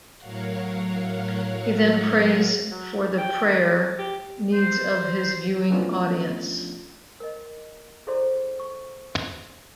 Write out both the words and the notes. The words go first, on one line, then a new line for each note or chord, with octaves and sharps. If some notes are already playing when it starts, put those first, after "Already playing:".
He then prays for the prayer needs of his viewing audience.
A2 F#3 A#4 C#5 F5 F#5
F#3
G#4
G5
D#3
G#3
G4
C5
F3 A3 B3 C#4 D4 F4
A#4 D#5
E4 G#4 A4 C5 D5 C6
C#6